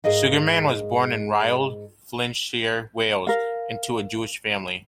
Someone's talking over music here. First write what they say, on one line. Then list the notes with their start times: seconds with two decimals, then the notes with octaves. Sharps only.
Sugarman was born in Rhyl, Flintshire, Wales, into a Jewish family.
0.04 G#2 C#3 G#4 A#4 D#5 F5
3.27 A#4 F5